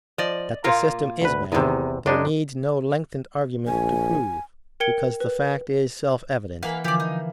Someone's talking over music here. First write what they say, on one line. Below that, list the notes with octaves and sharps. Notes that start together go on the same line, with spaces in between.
That the system is bad, there needs no lengthened argument to prove, because the fact is self-evident.
F3 D5 D#5
A#2 A#3 F4 A#4
D2 B4
E2 A2 C3 D#3
F#2 G#3 D4 D#4
A#1 G#5
A#4 G5 G#6 C#7 G7
B4
E3 A#3 F5 F#5 B5
D3 E3 F3 G4 D5 F5
D#4